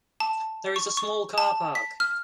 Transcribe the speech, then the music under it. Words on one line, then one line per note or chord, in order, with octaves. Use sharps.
There is a small car park.
A5
C#6
C#6
A5
B6
F6